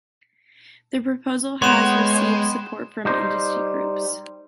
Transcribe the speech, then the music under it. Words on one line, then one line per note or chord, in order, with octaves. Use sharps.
The proposal has received support from industry groups.
G#3 B3 C#5 G5 C6 E7
G3 D#4 C5